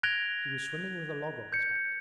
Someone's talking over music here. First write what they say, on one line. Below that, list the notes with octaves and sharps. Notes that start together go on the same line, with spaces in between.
'He was swimming with a log on his back.
F#6 G#6 A#6 D7 F7 G7
G6 C#7